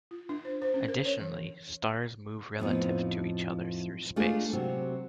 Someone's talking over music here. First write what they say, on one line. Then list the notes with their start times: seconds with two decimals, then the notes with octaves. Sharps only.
Additionally, stars move relative to each other through space.
0.11 F4
0.29 D4
0.45 C5
0.62 C5
0.74 C#4
0.88 A#4
1.05 C#5
1.20 E3
2.59 F2 A2 F3 B3 D#4
4.16 A3 A#3 D4 D#4 F4 G#4
4.53 C3 F#3 C4 F#4